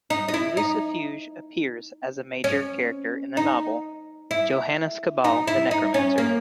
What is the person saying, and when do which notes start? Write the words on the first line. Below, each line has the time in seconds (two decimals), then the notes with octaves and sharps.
Lucifuge appears as a major character in the novel, "Johannes Cabal the Necromancer".
0.10 D#4
0.28 D#4
0.34 E4
0.57 D#4
2.44 C#4
3.37 D#4
4.31 E4
5.24 D#4
5.47 E4
5.71 D#4
5.94 C#4
6.18 A#3